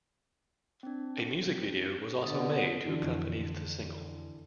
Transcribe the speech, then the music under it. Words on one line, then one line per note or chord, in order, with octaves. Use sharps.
A music video was also made to accompany the single.
C4 D4
B2 D3 D#6 A6
D3 E3
F2